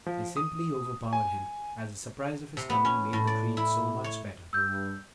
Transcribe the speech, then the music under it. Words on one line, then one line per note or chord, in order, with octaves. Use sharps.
They simply overpowered him, as the surprise of his coming made the treat so much better.
F3
D#6
G#5
C3
B3
C#4
A2
D5
E4
C#5
G2 E6 G6